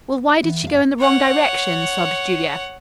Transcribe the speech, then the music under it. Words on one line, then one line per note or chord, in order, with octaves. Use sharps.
"Well, why did she go in the wrong direction?" sobbed Julia.
E3 B3
G1 F#2 E5 F5
C#5 F#5